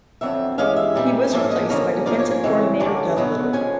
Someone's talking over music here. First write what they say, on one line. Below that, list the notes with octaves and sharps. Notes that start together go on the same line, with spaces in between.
He was replaced by Defensive Coordinator Doug Lytle.
F2 D3 F#3 C4 E5
G2 E3 G#3 C#4 F5
E5
A#2 G3 C4
G#2 F3 A#3 C#4 E5
D#5
D3 F3 A#3 C#4
G#2 F3 A#3 C#4 D5
C#5
C#5
C#3 E3 G#3 C4
G2 D3 F#3 A#3 C#4 D5
B2 F#3 B3 D#5
D3 F3 G#3 C#4 G#5